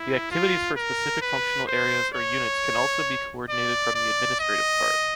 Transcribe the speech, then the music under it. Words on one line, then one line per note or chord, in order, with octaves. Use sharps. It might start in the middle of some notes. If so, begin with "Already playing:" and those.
The activities for specific functional areas or units can also be coordinated from the administrative part.
Already playing: E4
F4
A#4
B4
C5
C#5
D5
D5
D#5